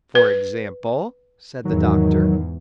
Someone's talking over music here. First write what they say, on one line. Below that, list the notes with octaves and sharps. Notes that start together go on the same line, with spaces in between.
"For example?" said the Doctor.
B4
E2 G#2 D#3 F#3